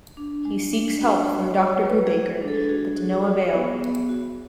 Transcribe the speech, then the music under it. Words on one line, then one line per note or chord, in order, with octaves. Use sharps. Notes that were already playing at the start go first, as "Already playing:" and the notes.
He seeks help from Doctor Brubaker, but to no avail.
D4
G#3
D4
F#4
G#3
C#5
F#4
G#3 B4
G#4
G#3
D4
A4
F#4 G#4
F#4
F#4
B3
B3
F#4